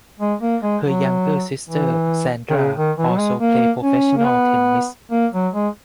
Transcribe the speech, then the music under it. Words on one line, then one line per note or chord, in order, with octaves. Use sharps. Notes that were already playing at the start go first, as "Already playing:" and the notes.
Her younger sister Sandra also played professional tennis.
G#3
A#3
G#3
F#3
E3
D#3
C#3
D#3
E3
F#3
G#3
A#3
C#4
A#3
B3
A#3
F#3
G#3